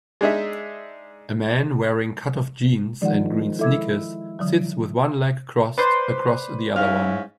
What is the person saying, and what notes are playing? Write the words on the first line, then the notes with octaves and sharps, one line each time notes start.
A man wearing cutoff jeans and green sneakers sits with one leg crossed across the other one.
G#3 D4 D#4 G#4 D#5 E5
D#3 F3 G#3 D5 F#5
E4 A4 E5 D6 G#6
D3 E3 F#3
B4 C5 D5 C6
G#2 C#4 E4 F5